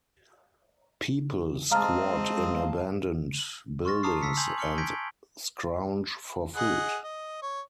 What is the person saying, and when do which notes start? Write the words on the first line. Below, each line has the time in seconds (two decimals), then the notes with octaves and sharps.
People squat in abandoned buildings and scrounge for food.
1.71 G#3 C4 D#5 F5 A5 A#5 F6
3.85 C6 C#6 F6 A6 A#6
4.03 A5 A#5 D6 D#6 F6 C7
4.22 E6 B6 C#7
4.37 G#5 C6 G6 G#6 F7 F#7
4.58 D6 F6 C#7 G7
4.78 G6 G#6 A#6 B6 D7
6.56 G#4 D#5 F#5
7.03 D#5
7.42 C#5